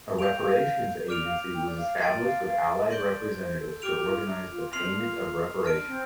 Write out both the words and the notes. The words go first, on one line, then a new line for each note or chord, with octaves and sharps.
A Reparations Agency was established with Allied representatives to organize the payment of reparations.
F5 G6 D7 F7
G5
F5
D5 D6 F6 D7 F7
F5
G5
D5
F5
G5 A5 C6 A6 D7
D5
F5
F5
D5 C6 G6 D7 G7
C5
A4
G4 D6 F6 D7 F7
G4
F4
D4
F4
C4 C6 F6 C7 F7
D4
F4
D4 A5 F6 D7
C4